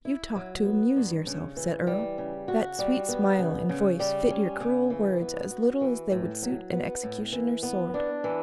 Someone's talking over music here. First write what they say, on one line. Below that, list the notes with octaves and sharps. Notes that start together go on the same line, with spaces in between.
"You talk to amuse yourself," said Earle, "that sweet smile and voice fit your cruel words as little as they would suit an executioner's sword."
E4
F#3
B3
G2
C#3
E3
G3
C#3
F#4
G3
B3
C#3
C#3
G3
C#4
C#3
E3
B3
F#4
E3
A2
F#3
B3
A2
E3
B3
D4
E3